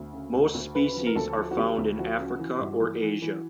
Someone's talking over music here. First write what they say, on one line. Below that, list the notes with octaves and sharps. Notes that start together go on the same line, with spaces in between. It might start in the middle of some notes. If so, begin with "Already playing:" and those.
Most species are found in Africa or Asia.
Already playing: D2
C#3
D2
D2
C#3 B4
F3
A#4
D2 A4
F3
F#4
D2 G4
D2
F3 F#4
C#3
E3
G2
E3
E3
E3